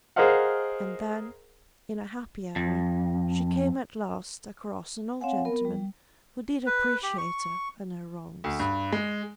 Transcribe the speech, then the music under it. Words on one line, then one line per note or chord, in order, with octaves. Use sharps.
And then, in a happy hour, she came at last across an old gentleman who did appreciate her and her wrongs.
G#4 A#4 C5 D#5 F5 F#5
F2
C4 C#5 F5 F#5 G#5
B3 A#4
G3
B4
G4
C#6
D2
G2
G#3